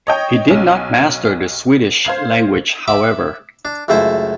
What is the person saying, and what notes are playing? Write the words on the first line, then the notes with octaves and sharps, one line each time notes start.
He did not master the Swedish language however.
C#5 D#5 G5
B1 C#4
C5 F5 G#6 C7
E5 B5 D6
D4
C#2 F#2 A3 E4 C5